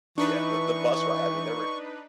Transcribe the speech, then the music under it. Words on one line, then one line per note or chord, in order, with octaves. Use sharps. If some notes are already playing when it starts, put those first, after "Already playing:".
Yeah, the the bus ri I mean, there were
E3 D4 D#4 B4 C#6